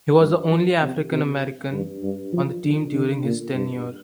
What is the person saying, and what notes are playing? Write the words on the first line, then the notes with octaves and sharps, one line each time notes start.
He was the only African American on the team during his tenure.
G2
F3
C3
C3
G2
G2
F3
D3
D3
A#2
G2